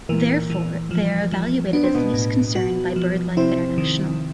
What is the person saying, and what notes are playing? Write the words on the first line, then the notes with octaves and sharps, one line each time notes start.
Therefore, they are evaluated as least concern by BirdLife International.
A#2 E3 A#3
E3
F3
F3
B3 D4
C4
B2 B3
A2
F#4
F3
C3 C4 E4
D#3